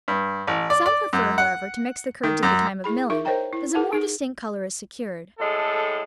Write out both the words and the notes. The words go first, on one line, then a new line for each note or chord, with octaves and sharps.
Some prefer, however, to mix the curds at the time of milling, as a more distinct color is secured.
G2
A1
D5
D5
F#2
F#5
D#3
F#2
E4 G#4 B5
D#4 F4 A#4 E5 C#6
A#4 C5 C#5 D#5 G5 A#5
E4
F4 G#4 A#4 B4 F#5 A5
D#4 G#4
A2 G#3 A4